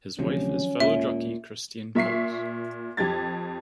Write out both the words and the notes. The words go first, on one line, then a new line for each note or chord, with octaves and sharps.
His wife is fellow jockey Christine Puls.
D2 C3 D#3 F3 F#3 C#4
D#2 A#2 G#3 E5
A#2 E5 C#6 B6 C7
F2 G4 G#6 A6